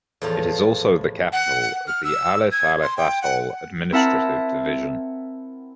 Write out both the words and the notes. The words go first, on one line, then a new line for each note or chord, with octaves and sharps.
It is also the capital of the Alif Alif Atoll administrative division.
E2 A2 F3 A4 C5 F5
F#5
F6
E6
G#6
C6
G5
F#5
C4 E4 A#4 E5 F#5 A5